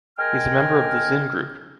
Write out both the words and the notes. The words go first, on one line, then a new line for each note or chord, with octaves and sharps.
He's a member of the Zin group.
G#3 A#4 G5 G#5 F6